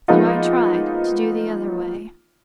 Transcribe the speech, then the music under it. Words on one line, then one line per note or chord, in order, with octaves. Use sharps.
So I tried--to do the other way.
F3 G#3 A#3 B3 D#4 F4